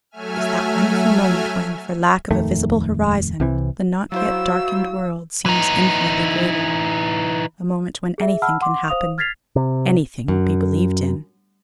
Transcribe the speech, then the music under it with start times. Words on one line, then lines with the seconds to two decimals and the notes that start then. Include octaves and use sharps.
It was that wonderful moment when, for lack of a visible horizon, the not yet darkened world seems infinitely greater--a moment when anything can happen, anything be believed in.
0.11 F#3 A3 E5 G#5 F6
2.31 D#1 F2 D#3 A3
3.40 C2 C3 E3
4.12 F#3 E4 F#4 C5 F5 E6
5.46 E3 D#4
8.18 G#4 E5
8.42 F#5 A5 B5 E6 F6
8.61 F#5 C6 D6
8.88 C5 F5 D#6 F7
9.18 F6 G#6 A6 B6 C7 F7
9.56 C3
10.28 F#2